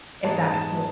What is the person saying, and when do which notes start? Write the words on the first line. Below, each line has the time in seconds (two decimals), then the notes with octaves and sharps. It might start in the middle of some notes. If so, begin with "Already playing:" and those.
if that's wh
0.24 G#2 E3 G#3 B3 A5
0.54 A5